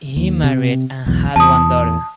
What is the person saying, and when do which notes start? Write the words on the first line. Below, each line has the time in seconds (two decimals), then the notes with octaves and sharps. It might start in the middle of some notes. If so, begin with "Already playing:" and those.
He married and had one daughter.
0.16 D#2
0.44 C3
1.06 B1 E2
1.36 E2 A5 D#6